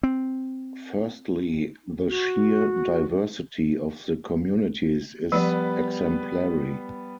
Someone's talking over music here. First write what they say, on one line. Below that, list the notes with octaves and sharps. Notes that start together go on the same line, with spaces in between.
Firstly, the sheer diversity of the communities is exemplary.
C4
F#4
F3 G3 B3 B4